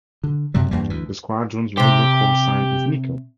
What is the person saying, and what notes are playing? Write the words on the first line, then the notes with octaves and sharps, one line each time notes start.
The squadron's radio call sign is "Nikel".
D3
F#2 C3 F#3 G3
E2 G2 G3 A#3
D2 E3
C3 G4 C5